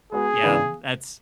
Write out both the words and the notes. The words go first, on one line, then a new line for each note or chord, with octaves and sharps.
Yeah, that's
G#3 B3 F#4 G#4
C#3 E3 B3 D4